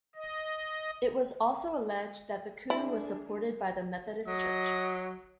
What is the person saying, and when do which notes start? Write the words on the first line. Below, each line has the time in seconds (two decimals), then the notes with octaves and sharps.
It was also alleged that the coup was supported by the Methodist church.
0.15 D#5
2.70 D4 E4 G#4
4.27 F#3 D#5